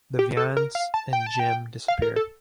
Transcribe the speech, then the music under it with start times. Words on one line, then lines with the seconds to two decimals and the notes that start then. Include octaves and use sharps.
The Vians and Gem disappear.
0.19 G4
0.37 A4
0.57 A#4
0.75 F5
0.94 A5
1.13 G5
1.26 A5
1.39 G5
1.88 F5
2.02 A#4
2.16 A4